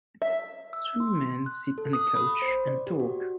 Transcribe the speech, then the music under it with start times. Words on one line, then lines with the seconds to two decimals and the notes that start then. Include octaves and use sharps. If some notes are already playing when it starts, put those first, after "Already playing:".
Two men sit on a couch and talk.
0.22 E5
0.73 E6
1.00 C6
1.46 F#6
1.78 A4
1.93 D#6
2.15 B5
2.42 C5
2.68 D5
2.87 G4
3.00 F#4